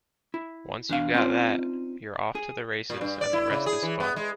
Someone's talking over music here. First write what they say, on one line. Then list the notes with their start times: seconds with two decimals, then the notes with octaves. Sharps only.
Once you've got that, you're off to the races and the rest is fun.
0.34 E4
0.89 E2 D4 F5
1.15 C4 C#4 D#4 F4 C5 D5
2.35 G#4
2.90 A#2
3.01 G2
3.21 D5
3.33 E4
3.50 C#3
3.66 G#4
3.83 E3
4.00 B3
4.16 G#3